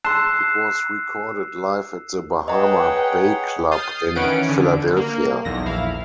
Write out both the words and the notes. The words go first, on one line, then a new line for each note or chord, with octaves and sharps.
It was recorded live at the Bahama Bay club in Philadelphia.
A5 C6 E6 F#6 C7 E7
G#4 B4 C#5 D#5 F#5 G5 A#5
D#6 F6 G6 A6 C7
D#3 E3 C#4 B4 F#5 D7
D3
A#3
B1 E2 A#6
A#1 E4 F5